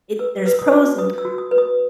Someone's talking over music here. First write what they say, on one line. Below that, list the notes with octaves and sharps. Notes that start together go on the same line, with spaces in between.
it there's pros and cons.
B4 E6
B4
E6
D#6
F#4
B4 D#6
E6
F#4
D#6
B4
D#6